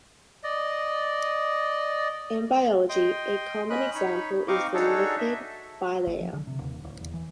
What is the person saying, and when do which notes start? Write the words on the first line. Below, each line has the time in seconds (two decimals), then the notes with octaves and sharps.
In biology a common example is the Lipid bilayer.
0.44 D5 D#5
2.89 D#5 G5 C6
3.70 C#4 D#5 B5 F#6
3.95 D#4 C#5 B5
4.48 C4 D#4 D#5 F5 C#6 D6
4.74 D4 D#4 F#4 G#4 A4 C#5
5.18 E5
6.07 A1
6.20 F3
6.33 D3
6.47 C3
6.59 D#1
6.84 D1
7.01 E2
7.14 E3